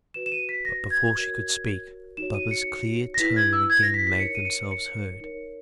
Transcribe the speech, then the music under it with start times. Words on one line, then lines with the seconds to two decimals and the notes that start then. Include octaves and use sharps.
But before she could speak, Baba's clear tones again made themselves heard.
0.14 F#4 B4 E7
0.26 E7
0.32 D#7
0.49 B6
0.65 A#6
0.91 G#6
1.17 F#4 A#4 C#5
2.17 D#4 F#4 C#5 E7
2.34 D#7
2.51 C#7
3.14 A#6
3.18 E4 B4 B6
3.36 G#6
3.53 E6
3.70 G#6
3.83 A#6
3.94 B6
4.07 B6
4.20 D#4 A#4 C#5 C#7
4.35 D#7
4.45 C#7
4.71 C#7
5.21 D#4 A#4 C#5